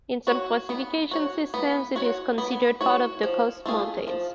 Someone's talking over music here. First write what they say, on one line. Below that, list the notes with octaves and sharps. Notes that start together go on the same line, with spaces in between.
In some classification systems it is considered part of the Coast Mountains.
F#4 C#5
B3
F#4 C#5
B3
F#4 C#5
B3
F#4 C#5
F3
A3 F4 G#4
F3